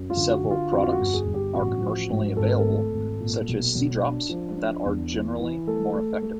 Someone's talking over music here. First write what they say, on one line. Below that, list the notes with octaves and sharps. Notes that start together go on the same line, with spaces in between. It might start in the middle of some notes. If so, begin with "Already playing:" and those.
Several products are commercially available such as Sea Drops that are generally more effective.
Already playing: F#2
F4
D3
F#4
D3
F4
F2 F#4
F4
F#4
G1
G#4
G1
G4
A1 F#4
F3
G#2
G#1 A4
A#4
A3 A4
G#1
A#2
B1
B1
D4
F3
D4
E2
E3
E3
A3 A4
A3
A3